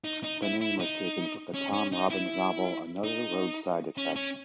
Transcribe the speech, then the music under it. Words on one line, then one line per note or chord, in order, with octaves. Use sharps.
The name was taken from the Tom Robbins novel "Another Roadside Attraction".
D#4
D#4
E4
E4
D#4
C#4
C#4
D#4
E4
D#4
C#4
C#4